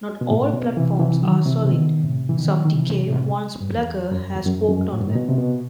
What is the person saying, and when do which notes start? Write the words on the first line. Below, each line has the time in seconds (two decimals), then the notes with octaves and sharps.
Not all platforms are solid, some decay once Blagger has walked on them.
0.21 B2
0.31 A2
0.54 B2
0.77 C3 E3
0.99 C3 E3
1.22 D#3 F#3
1.46 C3 E3
1.65 C3
1.70 B2 D#3
2.03 A2 C3
2.29 E3
2.38 B2 D#3
2.65 D#3
2.72 C3 E3
3.07 A2 C3
3.60 G2
3.69 F#2
3.77 E2
4.11 F#2
4.36 E2
4.46 F#2
4.69 F#2
4.92 A2
5.00 G2
5.07 A2
5.15 B2
5.28 C3
5.38 B2